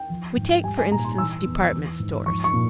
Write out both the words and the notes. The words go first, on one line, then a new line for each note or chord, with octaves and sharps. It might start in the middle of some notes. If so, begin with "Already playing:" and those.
We take, for instance, department stores.
Already playing: G5
F3
G#2
G3 G#5
G#5
A#2 A#5
C6
E3 E6
E2
E3
G#2
F3 C#6
C#6
A#2